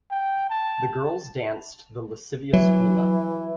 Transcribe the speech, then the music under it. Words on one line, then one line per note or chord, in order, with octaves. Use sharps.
The girls danced the lascivious hula.
G5
A5
E3 F#3